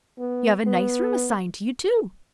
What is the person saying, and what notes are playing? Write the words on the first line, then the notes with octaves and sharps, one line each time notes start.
You have a nice room assigned to you, too.
B3
B3